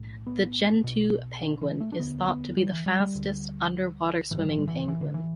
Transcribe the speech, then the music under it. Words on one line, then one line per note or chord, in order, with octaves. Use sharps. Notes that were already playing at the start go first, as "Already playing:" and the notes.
The Gentoo penguin is thought to be the fastest underwater-swimming penguin.
Already playing: B1 A2
B3
B1 B2
D4
E3
A3
D4
E1 D2 D3 B3
B3
G3
E3
G3
G3
D2 D3
A1 G2 D3 E3
G3
E3
G3
E3
E3
D3
E3